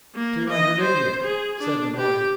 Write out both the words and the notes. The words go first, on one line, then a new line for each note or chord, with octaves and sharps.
"Two hundred a year," said the lawyer.
A#3
D#5
C5
G#4
D4
G4